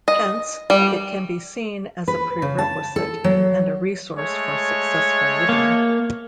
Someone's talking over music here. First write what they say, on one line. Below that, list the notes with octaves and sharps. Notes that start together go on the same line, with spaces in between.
Hence, it can be seen as a prerequisite and a resource for successful living.
D#5
G3
B4
C#3
A5
A4
F#3
G#3 A3 C#5
A#3